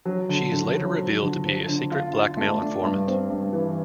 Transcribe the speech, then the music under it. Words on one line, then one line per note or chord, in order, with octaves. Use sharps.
She is later revealed to be a secret blackmail informant.
F#3
D3
D3
F#3
F3
D3
F3
D3
F4
F4
A3
D4
G2
C4
G2
E3